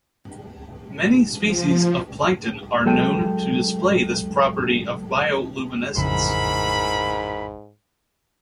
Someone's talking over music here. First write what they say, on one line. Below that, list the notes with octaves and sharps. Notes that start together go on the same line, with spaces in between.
Many species of plankton are known to display this property of bioluminescence.
F3
F#3 G#3 A4 G5
A1 F2 G#2 C#3 E3 A#4 B5